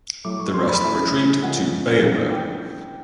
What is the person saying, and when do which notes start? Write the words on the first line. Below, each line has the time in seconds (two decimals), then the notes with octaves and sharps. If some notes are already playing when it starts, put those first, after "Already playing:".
The rest retreat to Bayamo.
0.24 A2 F#3 A3 D6
0.39 C#6
0.54 C6
0.69 B5
0.83 A2 E3 A3 C#4 E4 B5
1.42 F3 G#3 C#4 E4 F#5
2.02 E3 A3 D4
2.31 G5